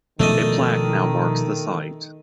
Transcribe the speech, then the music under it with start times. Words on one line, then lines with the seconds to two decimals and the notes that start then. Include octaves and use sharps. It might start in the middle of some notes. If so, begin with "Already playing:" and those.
A plaque now marks the site.
0.20 B2 D#3 F3 G#3 A3 D4 D#5